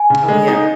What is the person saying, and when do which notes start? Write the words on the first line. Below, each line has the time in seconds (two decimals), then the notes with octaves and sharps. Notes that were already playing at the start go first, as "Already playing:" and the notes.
Oh, yeah.
Already playing: G#5
0.10 C#3
0.28 G#3
0.48 D#4